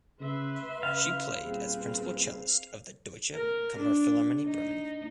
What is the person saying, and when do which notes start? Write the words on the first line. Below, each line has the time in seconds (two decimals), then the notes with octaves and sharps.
She played as principal cellist of the Deutsche Kammerphilharmonie Bremen.
0.20 C#3 B4 E5 C6
0.83 C#3 F5
1.42 D#1 C4 G#4 B4
3.34 A#4
3.79 D4
4.46 D#4